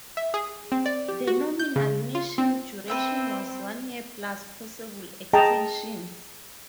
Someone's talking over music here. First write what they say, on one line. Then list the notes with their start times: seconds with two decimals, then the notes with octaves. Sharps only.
The nominal mission duration was one year plus possible extensions.
0.17 E5
0.34 G#4
0.72 C4
0.86 D5
1.08 G4
1.27 F#4
1.59 G6
1.76 C#3
2.15 F4
2.38 C4
2.88 C4 B4 E5 G5
5.33 G#4 D#5 G5 A5 A#5